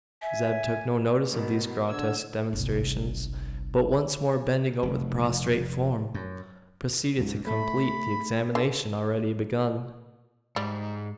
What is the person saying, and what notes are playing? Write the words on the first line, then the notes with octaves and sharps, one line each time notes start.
Zeb took no notice of these grotesque demonstrations; but, once more bending over the prostrate form, proceeded to complete the examination already begun.
E5 G#5
G#2 B2 D#3
D3 E6 G#6
G1 C2
F1
F#2
F#1 C#2 G#2
A3 B5
D3
G#2 G3